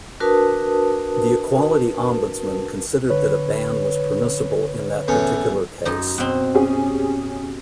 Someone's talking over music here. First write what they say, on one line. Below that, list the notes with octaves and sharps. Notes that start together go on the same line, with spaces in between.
The Equality Ombudsman considered that a ban was permissible in that particular case.
D4 F#4 A#4 B4 A5 D#6
D3 B4 C#5
E2 A2 C#4
F#2 D#4
B2 C4
C#4 G4 G#4